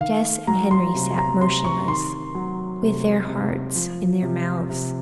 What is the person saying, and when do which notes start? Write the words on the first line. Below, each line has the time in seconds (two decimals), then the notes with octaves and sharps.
Jess and Henry sat motionless, with their hearts in their mouths.
0.01 D#3 F5
0.47 F#3 A#5
0.71 C6
0.94 C3
1.18 A#5
1.41 C3 C6
1.64 C#6
1.88 D#3 C6
2.35 F#3
2.82 C3
3.28 C3
3.75 F3
4.22 C3
4.69 C3